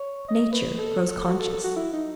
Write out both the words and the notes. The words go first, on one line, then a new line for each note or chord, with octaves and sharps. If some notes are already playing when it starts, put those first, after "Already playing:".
Nature grows conscious.
Already playing: C#5
D#5
B4
A4
F#4
A4
A4
F#4
E4
D#4